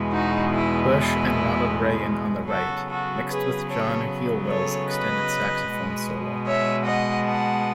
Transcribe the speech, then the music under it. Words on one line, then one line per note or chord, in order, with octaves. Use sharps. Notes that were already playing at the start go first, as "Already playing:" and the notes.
Bush and Ronald Reagan on the right, mixed with John Helliwell's extended saxophone solo.
Already playing: E2 B2 G#3 B3
D#4 F#4
E4
E4
C#3 F#3 B3 F#4 A4
F#4 A4
G#4 B4
A4 C#5
A4 C#5
B4 D#5
B2 G#3 B3
C#5 E5
D#5 F#5
F#5 A5